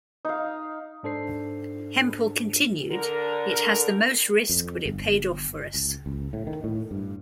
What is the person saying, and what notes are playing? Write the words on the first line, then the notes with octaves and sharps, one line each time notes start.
Hempel continued, It has the most risk but it paid off for us.
D#4 F5
G#2 D4 A4 C5 C7
D3 A#4
F2
G1
C#2
C#2
A2
D#3
A2
G2